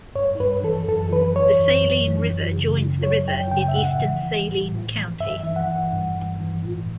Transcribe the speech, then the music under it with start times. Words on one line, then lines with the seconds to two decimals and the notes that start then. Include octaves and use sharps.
The Saline River joins the river in eastern Saline County.
0.15 G2 C#5
0.40 G2 B4
0.63 E3 A4
0.88 F#2 A4
1.12 E3 B4
1.36 E3 C#5
1.59 F#2
1.84 F#2
2.08 E3
2.32 F#2
2.56 C#3
2.80 F#2
3.03 F#3 C#5
3.28 F#2 G5
3.51 C#3 G5
3.68 E5
3.76 A2 F#5
4.00 E3
4.23 E3
4.49 A2
4.72 A2
4.95 E3
5.20 G2 E5
5.43 E3
5.56 F#5
5.67 E3
5.92 G2
6.15 G2
6.40 E3
6.64 A2